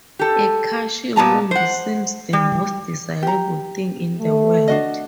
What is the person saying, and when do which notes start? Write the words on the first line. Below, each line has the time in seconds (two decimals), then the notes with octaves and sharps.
A cushy wound seems the most desirable thing in the world.
0.19 G4 A4
1.16 A#2 B3 A5 A#5
1.51 C5 F#5
2.33 G3
3.23 G4 A#5
4.18 A3
4.68 D4 F#4 D#5